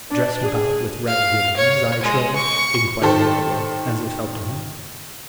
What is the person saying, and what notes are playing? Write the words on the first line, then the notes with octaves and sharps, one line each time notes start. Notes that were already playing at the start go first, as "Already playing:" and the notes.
"Dressed about with red ribbons, I trow?" enquired the outlaw, as if helping him.
D4
G#4
F5
C#5
G#3
C#6
D#3 G4 A4 C5